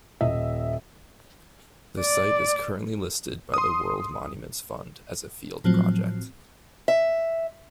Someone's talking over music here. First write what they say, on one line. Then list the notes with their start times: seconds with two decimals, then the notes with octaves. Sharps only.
The site is currently listed by the World Monuments Fund as a field project.
0.21 D#1 D#5 E5
2.01 D5
3.54 C6 D#6
5.64 A2 F3 F#3 C4
6.88 E5